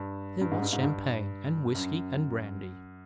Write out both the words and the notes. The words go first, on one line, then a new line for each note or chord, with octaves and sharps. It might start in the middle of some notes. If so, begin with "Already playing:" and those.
There was champagne, and whiskey, and brandy.
Already playing: G2
G2
G#2
G2
G#2
G2
F#2